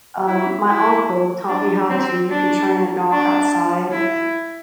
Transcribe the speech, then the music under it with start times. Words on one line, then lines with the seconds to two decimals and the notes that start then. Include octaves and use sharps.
um, my uncle taught me how to, you can train a dog outside,
0.28 E4
0.69 E4
1.49 D4
1.89 C4
2.30 D4
3.12 D4
3.92 E4